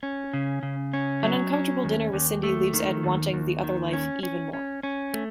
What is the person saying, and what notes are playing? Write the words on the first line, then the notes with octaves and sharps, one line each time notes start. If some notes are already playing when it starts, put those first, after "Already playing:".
An uncomfortable dinner with Cindy leaves Ed wanting the other life even more.
C#4
C#3
C#3
C#4
F#3
C#4
D#2
D#2
A3
D#3
D#2
D#2
D#3
C#4
C#4
C#4
C#4
A3